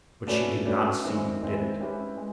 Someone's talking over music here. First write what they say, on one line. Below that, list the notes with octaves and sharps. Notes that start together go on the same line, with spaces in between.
But she did not see who did it.
A3 C#4 F#4 B4 D5
A3 C#4 F#4 B4 D5
D#3 G#3 C4 E4
D#3 G#3 C4 E4
G#3 C#4 E4 G4 B4
G#3